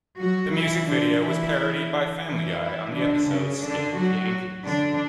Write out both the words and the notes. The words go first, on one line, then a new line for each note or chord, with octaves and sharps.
The music video was parodied by Family Guy on the episode "Scammed Yankees".
F#3 F#4
E3 E4
D3 D4
E3 E4
E3 E4
D3 D4
C#3 C#4
D3 D4
F#3 F#4
D3 D4